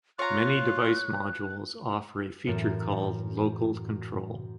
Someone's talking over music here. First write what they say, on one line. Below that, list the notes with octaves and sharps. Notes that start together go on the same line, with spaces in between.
Many device modules offer a feature called "local control".
F4 C#5 A#5 F#6
F#2 A2 E3 A#4 A6 E7